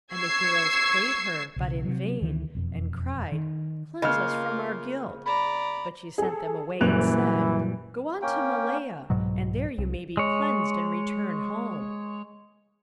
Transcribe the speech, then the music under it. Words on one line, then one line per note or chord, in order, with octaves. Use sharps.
And the heroes prayed her, but in vain, and cried, "Cleanse us from our guilt!" But she sent them away and said, "Go on to Malea, and there you may be cleansed, and return home."
C#6 E6 G#6 C7
B1 C#3
C3 F#3
D2 D#3 E3
E1 F2
D#3
C#3 A#3 F4 D#5 F6
D5 A#5 B5
G#4 A4
F#1 A#2 E3 F#3 G3 F#6 F7
A#3 C#4 G5
C2 G#2 B2 F#3
C2
G#3 C#5